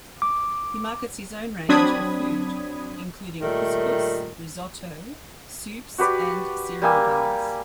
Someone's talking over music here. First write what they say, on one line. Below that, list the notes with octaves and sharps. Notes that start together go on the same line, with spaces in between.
He markets his own range of food, including couscous, risotto, soups and cereal bars.
D6
F#3 C4 D4 B5 D#6 G#6
A#2 D#3 G3 A3
F#4 G4 B4 D5
G3 A#3 G#5 E6